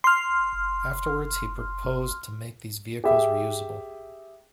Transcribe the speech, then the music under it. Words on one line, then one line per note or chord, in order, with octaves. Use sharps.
Afterwards he proposed to make these vehicles reusable.
C6 F6
G4 G#4 E5